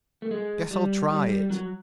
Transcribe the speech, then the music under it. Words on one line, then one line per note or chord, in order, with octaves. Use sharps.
"Guess I'll try it."
A3
G#3
G3
G3
G3
F#3